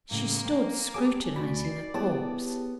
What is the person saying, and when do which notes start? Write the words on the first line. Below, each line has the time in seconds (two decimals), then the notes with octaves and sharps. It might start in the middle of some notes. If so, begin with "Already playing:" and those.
She stood scrutinising a corpse.
0.11 A2 C#3 A#3
0.44 C4
0.94 G4 G#4 C#5 G#5 A5 D6
1.36 D2 F#4 D5 B5
1.65 C7
1.94 B3 E4 G4 G#4 C#5 A5